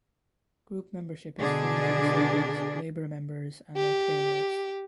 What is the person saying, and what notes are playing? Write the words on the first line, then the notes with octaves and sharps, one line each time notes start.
Group membership is free to disabled Labour members and their carers.
B2 D3 D4 G#4
G4